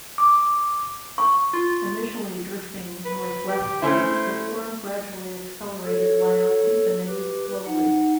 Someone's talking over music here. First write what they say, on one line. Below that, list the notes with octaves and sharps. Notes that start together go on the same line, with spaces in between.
Initially drifting northwestward, the storm gradually accelerated while deepening slowly.
D6
C#6
F4
B4
G4
A3 C#4 E4 C5
A4 C#5
G4 B4
D#4 F#5